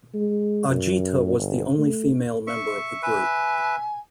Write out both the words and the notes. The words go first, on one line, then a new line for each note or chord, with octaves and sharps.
Ajitha was the only female member of the group.
G#3
F#2
G1
A3
E5 C#6
B4 E5 G#5